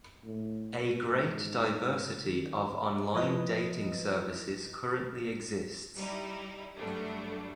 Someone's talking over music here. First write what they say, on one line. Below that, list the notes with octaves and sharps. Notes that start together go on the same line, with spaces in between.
A great diversity of online dating services currently exists.
A2
G#2
D#3
F3 E4 F4 B4 D#5 D#6
G3 D#4 E4
G2 F#3 G3 A3 D4